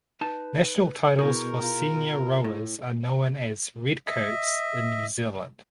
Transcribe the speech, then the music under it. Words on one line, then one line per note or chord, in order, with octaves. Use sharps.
National titles for senior rowers are known as Red Coats in New Zealand.
D#4 B4 A5
B2 E4 G#4 A#4 A#5 C#6 G6
F4
A2
D#5 E5